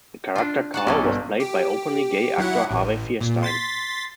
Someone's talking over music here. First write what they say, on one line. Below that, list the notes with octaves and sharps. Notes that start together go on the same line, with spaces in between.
The character Karl was played by openly gay actor Harvey Fierstein.
D4 F4
F#4 F#5 A5
B1 A#3 C#4 A4
G1
G4
F#3 E4 F#5
A1
A#2
C6 A6 B6